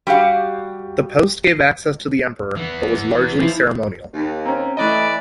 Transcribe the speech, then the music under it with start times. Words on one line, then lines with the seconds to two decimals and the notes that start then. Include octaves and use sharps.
This post gave access to the emperor but was largely ceremonial.
0.07 G3 F#4 G4 F5
2.57 E3 B3
3.40 E3 F3 E4
4.14 D#2
4.46 C4 C#4 A#5
4.77 E3 A3 D5 D#5 B5